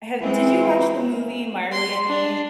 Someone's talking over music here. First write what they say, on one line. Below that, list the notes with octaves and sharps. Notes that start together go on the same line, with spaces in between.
have did you watch the movie Marley and Me?
E3 G#3 C4
C6
D4